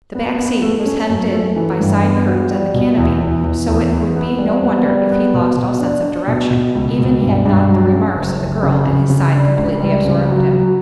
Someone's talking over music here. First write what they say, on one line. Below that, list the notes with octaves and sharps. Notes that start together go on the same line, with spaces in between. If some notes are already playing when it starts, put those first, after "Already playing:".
The back seat was hemmed in by side curtains and the canopy, so it would be no wonder if he lost all sense of direction, even had not the remarks of the girl at his side completely absorbed him.
B3
B3
A3
C#4
F#2
A3
E3
G2
B3
F#4
G3
B2
E2
E2
E2
E2
E2
B3
G3
B3
G3
B3
B2
B2
D4
D4
B2
B2
C#2
B2
G2
G2
F#3
C#4
F#1
F#1
C#3
C#3
C#3
D4
C#2
G3
C#3
F#3
F#3